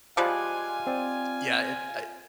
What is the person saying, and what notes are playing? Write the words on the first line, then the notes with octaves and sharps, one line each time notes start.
Yeah, it I uh,
F3 G3 G#3 F4 G#5 D6 F#6
C4 D5